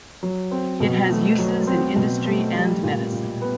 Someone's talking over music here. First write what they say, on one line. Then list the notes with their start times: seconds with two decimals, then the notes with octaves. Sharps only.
It has uses in industry and medicine.
0.23 F#3
0.51 C4
0.80 B2
1.10 A3
1.38 F#3
1.67 C4
1.96 B2
2.25 A3
2.55 G3
2.83 A#2
3.12 A#2
3.41 B3